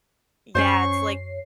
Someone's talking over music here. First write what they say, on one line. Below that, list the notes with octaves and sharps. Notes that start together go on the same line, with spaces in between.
Yeah, it's, like,
F#2 C#4 D4 C5 C#5 C#6 C7